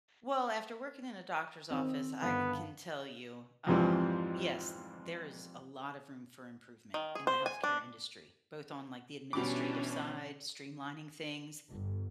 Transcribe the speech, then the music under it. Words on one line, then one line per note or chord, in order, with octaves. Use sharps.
Well, after working in a doctor's office, I can tell you, um, yes, t there is a lot of room for improvement in the health care industry, both on, like, the administrative side, streamlining things,
D#3 C4
G2 D3 D#3 B3
F2 G#2 E3 F3 G3 C4
D#3
G#4
C5
G#5
D4
B2 E3 G3 C#4 D4 D6
G1